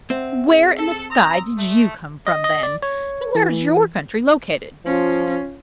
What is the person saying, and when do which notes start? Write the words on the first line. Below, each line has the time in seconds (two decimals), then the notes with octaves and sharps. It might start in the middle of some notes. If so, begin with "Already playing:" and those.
"Where in the Sky did you come from, then, and where is your country located?"
0.10 C4 E5 F#5
0.48 G#4
0.78 A4
1.10 A#5 C6 D#6 E6
1.56 A3
2.27 D#5
2.44 D#5
2.63 D5
2.82 C#5
3.35 E3
4.85 F3 C#4 F4